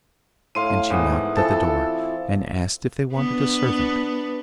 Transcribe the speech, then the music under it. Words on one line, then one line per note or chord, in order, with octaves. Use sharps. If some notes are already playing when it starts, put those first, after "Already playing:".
And she knocked at the door, and asked if they wanted a servant.
A2 F5 C6 D#7
G#2 E3 B3
E3 F3 C4 A4 A5
B3 D4 B4